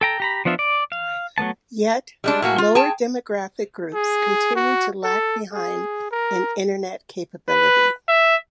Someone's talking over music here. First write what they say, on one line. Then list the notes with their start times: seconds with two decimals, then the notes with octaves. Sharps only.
Yet, lower demographic groups continue to lack behind in internet capability.
0.01 A4 G5 A#5
0.20 G4 A#5 B5
0.45 F3 B3 D4 F4 E5
0.59 D5
0.92 F5
1.38 F#3 A3 B3 A5
2.24 G3 G#3 D4
2.42 A2 A#3 F#4 G#5
2.58 F4
2.75 G#4 G5 A5
3.93 G#4
4.55 F#4
5.03 A4
5.53 G#4
6.11 A#4
7.49 B4
8.08 E5